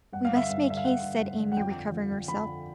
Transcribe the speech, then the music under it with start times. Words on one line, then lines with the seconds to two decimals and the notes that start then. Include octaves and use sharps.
'We must make haste,' said Amy, recovering herself.
0.13 G2 F#5
0.25 F5
0.31 D3
0.37 E5
0.49 G2
0.68 D3 E5
0.77 F5
0.85 G2 F#5
1.03 D3
1.21 G2
1.39 D3
1.52 F#5
1.57 F2 G5
1.75 D3
1.92 F2
2.10 D3
2.28 F2 B5
2.47 D3